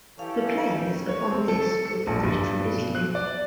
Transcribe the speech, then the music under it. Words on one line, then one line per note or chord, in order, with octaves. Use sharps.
The players, upon this, were banished from Italy.
E3 C#4 G4 A4 F5
C#5
C4
A4
C#7
A#1
G2
B2
F#6
D5